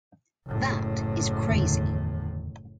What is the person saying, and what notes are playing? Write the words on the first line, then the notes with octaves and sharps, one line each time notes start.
That is crazy.
F#1 A2
E2 D3 D#3